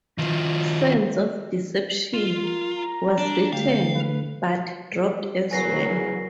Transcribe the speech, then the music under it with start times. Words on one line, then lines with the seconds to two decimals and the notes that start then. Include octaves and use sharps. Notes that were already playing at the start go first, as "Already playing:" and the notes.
"Sands of Deception" was written, but dropped as well.
0.18 D#3 F3
2.14 F4
2.43 A#4
2.78 A#5
3.18 D4
3.53 D3 A3 F5 G5
3.95 B4
5.51 E2 C#3 F#3 A#4 G#5 A#6 C7